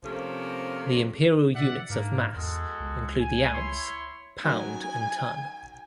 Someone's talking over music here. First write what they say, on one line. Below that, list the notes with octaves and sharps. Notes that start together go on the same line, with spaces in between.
The Imperial units of mass include the ounce, pound, and ton.
C3 F3 A3 A#3 C#4
B2 D5 E5 F#5
G#2 A#3 D4 A#4
E2 G#3 F#4 A4
C#2
G#5
E4 C#5 C6
D#3 F#3 C#4 G#5